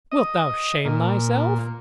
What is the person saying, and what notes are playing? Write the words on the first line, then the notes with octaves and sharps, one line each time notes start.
Wilt thou shame thyself?
D#5
A#2